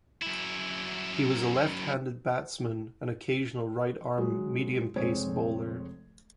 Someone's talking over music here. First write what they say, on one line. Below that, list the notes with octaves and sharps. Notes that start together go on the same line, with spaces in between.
He was a left-handed batsman, and occasional right-arm medium-pace bowler.
F#2 E4
F#3 G#3
F1 G#3 C4 C5 C#5 G#6